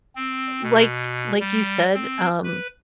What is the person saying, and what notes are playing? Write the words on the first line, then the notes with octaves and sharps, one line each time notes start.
uh, like like you said, um,
C4
B2
G3
C4
B4